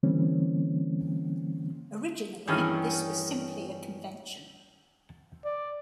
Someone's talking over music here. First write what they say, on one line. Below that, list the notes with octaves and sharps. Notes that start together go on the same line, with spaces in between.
Originally this was simply a convention.
D3 E3 G3 A#3 C4 C#4
G2 D#3 E3 C#4 G#4
D5